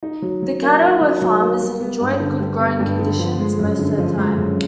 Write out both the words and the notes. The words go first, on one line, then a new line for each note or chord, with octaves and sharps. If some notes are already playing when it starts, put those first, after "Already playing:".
The Caddo were farmers and enjoyed good growing conditions most of the time.
D#4
F#3
F#3
A#3
D#4
F#3
F#3
A#3
G3
B3
G2
D3
G3
B3
G2
D3
F3
G#3
F#2
D3
F3
G#3
F#2